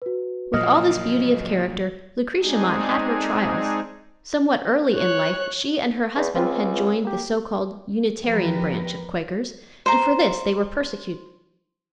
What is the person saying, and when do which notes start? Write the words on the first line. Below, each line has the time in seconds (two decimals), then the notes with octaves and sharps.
With all this beauty of character, Lucretia Mott had her trials. Somewhat early in life she and her husband had joined the so-called Unitarian branch of Quakers, and for this they were persecuted.
0.02 F#4 B4
0.54 A#2 F3 F#3 A#3 D#5 F6
2.41 G#3 C4 D4 D#4 G#4
4.96 C#5 F#6
6.16 E2
6.35 C#2 C4 F4 B4
7.05 A#3 G4
8.23 E2 F3 G4 A#4 B4
9.86 C5 A#5